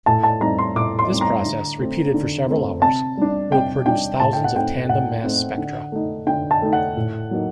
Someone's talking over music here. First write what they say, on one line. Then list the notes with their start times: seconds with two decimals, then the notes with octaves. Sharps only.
This process, repeated for several hours, will produce thousands of tandem mass spectra.
0.06 A2 A5
0.23 A5
0.41 G3 C4 D#4 A#5
0.58 C6
0.75 A2 D6
0.99 C6
1.10 G3 C4 D#4
1.21 A#5
1.45 D3
1.78 A3 C4
2.14 D3
2.48 A3 C4
2.82 C3 A5
3.17 G3 D4
3.52 C3 G5
3.86 G3 D4 G5
4.20 A2 A5
4.33 G5
4.44 F#5
4.55 A3 C4 D#4 G5
4.89 A2 F#5
5.24 A3 C4 D#4
5.58 D3
5.92 A3 D#4
6.27 D3 G5
6.51 A5
6.62 A3 D#4
6.73 F#5
6.97 A2
7.31 F#3 A#3 D#4